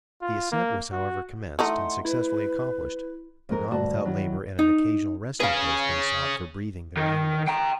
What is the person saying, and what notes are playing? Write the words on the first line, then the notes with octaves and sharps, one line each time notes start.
The ascent was however commenced and successfully accomplished; but, not without labor and an occasional resting-place being sought for breathing their animals.
F4
A#3
F#4
E3 A3 D#4 F#5 C6
E4 B4
F2 G#3 A#4
D2 G2 F#4 A5
D#3 F#3 E4
D#4
C#4 G#4 B4 F5
D#3 A#4
G5 A#5